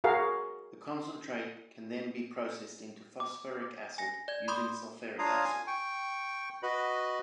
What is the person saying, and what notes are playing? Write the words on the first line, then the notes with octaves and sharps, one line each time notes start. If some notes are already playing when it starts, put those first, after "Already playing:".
The concentrate can be then processed into phosphoric acid using sulphuric acid.
F#4 G#4 A#4 F5
D6
G#5 A#6
D5 G#6
B5 C6 D6 D#6 G6
D4 F4 C#5 F5 A#5 D#6
G#5
G5 C#6
F#4 B4 D#5 B5